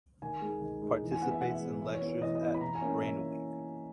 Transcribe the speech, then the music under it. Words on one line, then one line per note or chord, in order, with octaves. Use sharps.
Participates in lectures at "Brain Week".
D#3 G#5
G#3 D#4
D#3
G#3 D#4
E3
G#5
G#3 B3 F#5
E5
E3 F#5
E5
G#3 B3
E3 E5
C#5
B3 E4
C#5
E3 D#5
D#5
B3 E4
B5
E3 A#5
G#5
A#3 C#4 E4
E3 E5